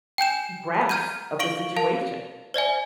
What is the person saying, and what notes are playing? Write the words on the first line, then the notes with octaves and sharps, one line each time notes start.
grasp of the situation
G5 G#5 G6 E7
A#5 F6 G6 G#6 D#7
F5 C#6 D7 F#7 G7
A#4 F5 A5
C5 D5 E5 G#5